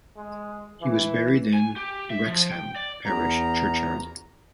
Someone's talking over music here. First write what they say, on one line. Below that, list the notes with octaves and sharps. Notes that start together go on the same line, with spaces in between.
He is buried in Wrexham Parish Churchyard.
G#3
E3
G#5
G4
E5
F3
G5
D5
E2 A#5